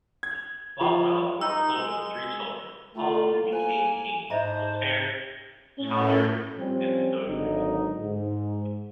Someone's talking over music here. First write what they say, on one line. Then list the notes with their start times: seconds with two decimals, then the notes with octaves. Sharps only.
Balthild bore Clovis three children, all of whom became kings: Clotaire, Childeric and Theuderic.
0.23 G#6
0.81 F3
1.41 D#4 E6
1.76 G#3
2.95 A2 A3 F4
3.31 A#3
3.53 C5 G#5
4.30 G#2 D4 C5 D#5 E5 A#5 B5
5.79 A2 A3 C#4
6.57 F3 G3 C4 C#4
7.27 G#1 D3 F#3 D#4
8.00 G#2